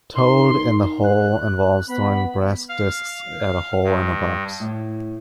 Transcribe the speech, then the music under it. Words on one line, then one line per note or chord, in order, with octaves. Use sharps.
Toad in the hole involves throwing brass discs at a hole in a box.
D#4 A#4 C6
F#6
B3 B5
F5
G2
A2